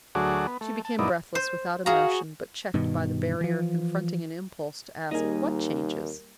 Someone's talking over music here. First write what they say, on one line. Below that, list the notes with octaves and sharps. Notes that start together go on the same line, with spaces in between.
She became breathless, without emotion, but checked by the barrier confronting an impulse to ask, what changes?
D2 F#3 A3 F#4 G#4 D5
B3
A3
A5
F#2 A#2 B3 D#4 E4 D5
C5
F#4 G#4 F5 A#5
G2 B2 D#3
E3 F3
D#2 G3 A#3 D#4 G#4 A#4